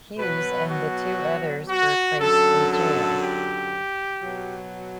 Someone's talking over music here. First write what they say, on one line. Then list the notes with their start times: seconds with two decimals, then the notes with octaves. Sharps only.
Hughes and the two others were placed in jail.
0.18 B2 F#3 B4
0.68 F#4
1.69 F#4
2.20 F#2 D3 F#3 A4
2.70 A4
3.21 G4
4.22 B2 F#3